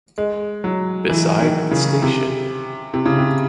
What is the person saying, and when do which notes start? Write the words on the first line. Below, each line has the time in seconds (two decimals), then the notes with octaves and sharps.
Beside the station.
0.18 G#3
0.64 F#3
1.09 E3
1.40 D#3
1.71 C#3
2.02 C3
2.94 C3
3.06 C#3
3.19 C3